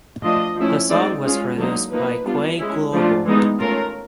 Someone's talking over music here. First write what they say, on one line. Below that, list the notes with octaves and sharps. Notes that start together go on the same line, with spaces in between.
The song was produced by Quay Global.
F3 A3 D4 F4 D#5
F3 A3 C#4 E4
G#3 C4 D#4 D5
G#3 C#4 F4
D3 F#3 A#3 D#4
F3 A#3 D#4 B4
G3 B3 D4 F4
G#3 C#4 E4
F3 A3 D4 F4
E3 G#3 B3 D#4
A3 C#4 F4 A#4